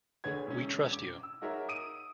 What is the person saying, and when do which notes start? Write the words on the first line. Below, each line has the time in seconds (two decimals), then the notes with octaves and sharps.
We trust you.
0.24 D2 D3 G#4 B4 C#5 G#6
0.47 E1 C#4
0.93 D6
1.23 E6
1.41 D#4 F#4 G#4 A#4 C#5 E5
1.69 D#6 D7 D#7